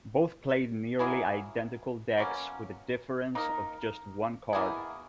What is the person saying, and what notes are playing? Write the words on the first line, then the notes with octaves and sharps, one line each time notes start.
Both played nearly identical decks with a difference of just one card.
F#3 A#3 E4 G#4
B2 F#3 A#3 C#4
A#3 D#4 A#4
B2 A#3 E4 G#4